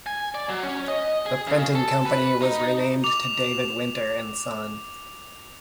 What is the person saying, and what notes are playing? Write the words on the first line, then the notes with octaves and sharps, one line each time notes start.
The printing company was renamed to David Winter and Son.
G#5
D5
F#3
C#4
D#5
G#4
C#3
A4
B4
D#4
D6 F7